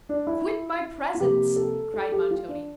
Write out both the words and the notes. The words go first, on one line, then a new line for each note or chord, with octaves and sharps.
'Quit my presence!' cried Montoni.
D4
E4
F4
C3 F3 A#3 G4
A4
A4
G4
F4
D4